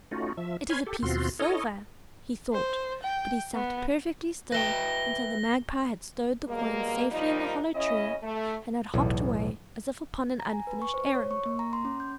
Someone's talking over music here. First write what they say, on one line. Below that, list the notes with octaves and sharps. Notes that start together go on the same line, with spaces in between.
"It is a piece of silver!" he thought, but he sat perfectly still until the Magpie had stowed the coin safely in the hollow tree and had hopped away as if upon an unfinished errand.
A3 C#4 D#4 F4 F#4
F3 E5
C#5 G#5 B5 C6 F6 G#6
G4 A4
D#2 B2 C4 F4 F#4 C6
E4 A4 C#5 D#5 D#6 F6
C5
G5
B3
B4 E5 G5 A#6 G7
B2 G3 G#3 A#3
D#3 F3 G3 A#3 D#4
C#3 C#4 E4 D#5
A3
B1 E2 A2
A#5
G#5
B4
C#6
C5
C#5
C#6
A#3
A#5
C6
C#4
G6